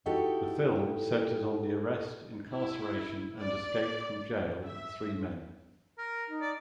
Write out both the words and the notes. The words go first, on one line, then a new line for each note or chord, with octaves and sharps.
The film centers on the arrest, incarceration, and escape from jail of three men.
D#4 E4 F#4 G4 A4
E4
D5
E5
A#4
D#4
D5